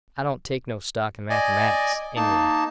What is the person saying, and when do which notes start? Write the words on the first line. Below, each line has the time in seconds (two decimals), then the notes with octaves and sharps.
I don't take no stock in mathematics, anyway.
1.30 D5 D#5 G#5
2.16 A#3 D#4 A5